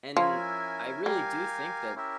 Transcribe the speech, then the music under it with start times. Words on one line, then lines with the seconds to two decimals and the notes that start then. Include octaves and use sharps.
And I really do think that
0.17 F3 C#4 E4 A#4 E5 G#5
1.06 G3 G4 A#4 F5 G#5
1.95 C#4 E4 G4 A#4 E5